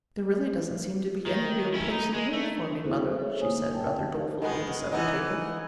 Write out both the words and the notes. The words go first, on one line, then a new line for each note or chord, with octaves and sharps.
"There really doesn't seem to be any real place in the world for me, Mother," she said rather dolefully at the supper table.
D#3
C#4 E4
D#4
G#3
A3
C4 E4 F#4 G#4 A4 C5
A4
G#4 A4 C5 C#5 E5
A#3 D#4 C#5 G#5 D#6
A#4 G5 A5
D#3 G#3 B3
E3 B3 D#4